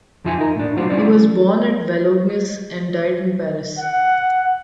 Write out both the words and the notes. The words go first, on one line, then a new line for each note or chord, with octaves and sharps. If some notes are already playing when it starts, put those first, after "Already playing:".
He was born at Valognes, and died in Paris.
F2 F3 F4 E5 G#5
D#4 A#4
A2 D4
F#3 D4 F4 C5
G3 C#4 E4 D5
F#5